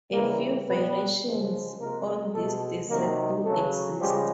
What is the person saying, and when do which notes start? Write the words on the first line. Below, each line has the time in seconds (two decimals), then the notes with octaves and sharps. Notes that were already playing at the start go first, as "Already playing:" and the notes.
A few variations on this dessert do exist.
0.12 C#3 E3 G3 A#3 A#4
0.67 B2 G3 B3 B4
1.23 C#3 F3 G#3
1.78 C3 F3 G#3 A#3 A#4
2.33 B2 G#3 A3 A4
2.89 C3 D#3 F#3 A#3 A#4
3.44 C#3 F#3 A3 A4
4.00 C#3 F3 G3 G#3 G4